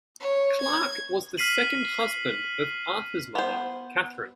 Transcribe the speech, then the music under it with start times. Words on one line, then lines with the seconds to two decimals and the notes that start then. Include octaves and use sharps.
Clarke was the second husband of Arthur's mother Katherine.
0.20 C#5
0.61 G#6
1.37 F6 B6 C7 D#7 F#7
3.35 B3 C5